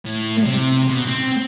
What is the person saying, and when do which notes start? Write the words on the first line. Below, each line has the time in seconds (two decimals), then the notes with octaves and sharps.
Mhm, yeah.
0.06 A2
0.45 C3
0.90 B2
1.07 C4